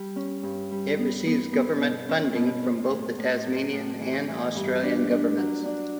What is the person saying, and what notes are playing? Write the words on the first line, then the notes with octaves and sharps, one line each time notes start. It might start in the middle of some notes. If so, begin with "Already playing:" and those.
It receives government funding from both the Tasmanian and Australian governments.
Already playing: G3
C#4
G2
G3
B3
B3
B3
B2
C#4
B2
C#4
A2
A2
F#3
A2
E3
E3
G2
D4
D4
F#3
D4